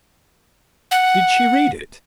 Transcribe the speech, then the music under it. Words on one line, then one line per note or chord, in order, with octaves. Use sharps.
"Did she read it?"
F#5